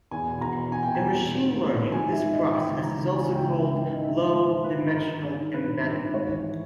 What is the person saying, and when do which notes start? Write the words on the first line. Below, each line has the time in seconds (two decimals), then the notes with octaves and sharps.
In machine learning this process is also called low-dimensional embedding.
0.11 E2 G#5
0.27 B2
0.41 E2 A#5
0.56 B2
0.72 E2 G#5
0.83 B2 G5
0.95 G#5
1.02 E2
1.18 B2
1.33 G#2
1.47 D#3
1.63 G#2
1.78 D#3
1.92 G#2 G#5
2.08 D#3 E5
2.22 G#2
2.32 D#5
2.38 D#3
2.53 E3 G5
2.68 C#2
2.83 C#2 A#5
2.97 C#3
3.13 E3 G#5
3.28 C#2
3.33 G5
3.43 C#2
3.53 E5
3.59 C#3
3.73 G#2 G5
3.89 D#3 D#5
4.03 G#2 E5
4.18 D#3
4.34 G#2
4.48 D#3
4.64 G#2 B4
4.78 D#3
4.94 G2 A#4
5.08 D#3
5.24 G2
5.39 D#3
5.54 G2 B4
5.69 D#3
5.83 G2
5.99 D#3
6.14 G#2 C#5
6.29 E3